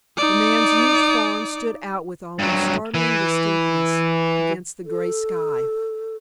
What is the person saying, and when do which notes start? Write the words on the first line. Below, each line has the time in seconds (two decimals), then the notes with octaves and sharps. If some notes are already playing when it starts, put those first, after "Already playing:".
The man's huge form stood out with almost startling distinctness against the grey sky.
0.17 D#4 D5
2.39 G2 F#3
2.94 E3
4.86 A4